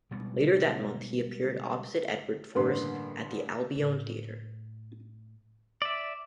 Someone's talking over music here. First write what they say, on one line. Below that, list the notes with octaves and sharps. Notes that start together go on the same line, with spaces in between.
Later that month, he appeared opposite Edwin Forrest at the Albion Theatre.
B2 G3 G#3 B3
A1 G2 D3 A#3 B4 C6
A2
D5 E5